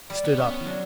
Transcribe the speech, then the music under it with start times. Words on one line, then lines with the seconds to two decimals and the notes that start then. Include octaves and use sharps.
I stood up.
0.10 G3
0.24 B3
0.38 C#4
0.61 E3
0.67 F#3 D4